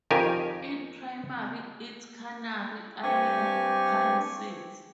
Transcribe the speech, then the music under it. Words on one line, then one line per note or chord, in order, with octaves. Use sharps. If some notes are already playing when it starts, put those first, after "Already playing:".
It primarily eats Canary Island pine seeds.
F2 D#3 G4 A#4 G#5
G2 C4 G4 G#5 C#6